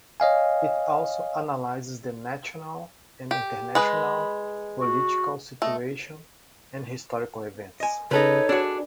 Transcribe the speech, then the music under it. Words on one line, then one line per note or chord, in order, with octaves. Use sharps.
It also analyzes the national and international political situation and historical events.
C#5 D#5 F5 G#5
G4
G#3 B4 D#5 B5
F#4
A3 D#5
D#5 G#5
C#3 D#4 A4 B4 C#5
D4 F#4 G#4 A4